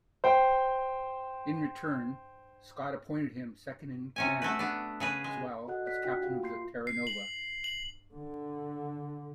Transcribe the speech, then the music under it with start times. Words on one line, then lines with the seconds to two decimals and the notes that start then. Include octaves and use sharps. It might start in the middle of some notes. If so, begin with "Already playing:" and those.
In return, Scott appointed him second-in-command, as well as Captain of the "Terra Nova".
0.24 C5 G5
4.16 C3 C#4 G#5
4.42 A3 F#4 B4
4.59 B3 D4
5.00 C#3 G#4 B4
5.24 G#3
5.68 F#4 A4 D#5 F#5 F#6
5.86 D5 F#6 B6
6.04 D4 F4 F#4 F#5 G5
6.23 F4 G4 F5
6.43 A#3 C6 G6 C7
6.87 C7
7.07 F#7
7.64 F#7
8.16 D3